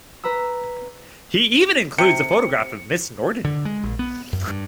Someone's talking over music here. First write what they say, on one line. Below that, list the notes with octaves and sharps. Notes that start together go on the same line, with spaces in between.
He even includes a photograph of Miss Norton.
B4 A#5 B5 E6
C3 C#7
D3
G#3
A#1
B3
F#2
G2